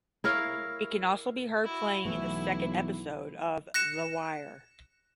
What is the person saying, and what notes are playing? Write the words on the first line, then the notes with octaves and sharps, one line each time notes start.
It can also be heard playing in the second episode of "The Wire".
E4 A#4 C#5 F5
E4 F#4
B1 E3 A3 B3 E4
F#6 A#6 C#7 E7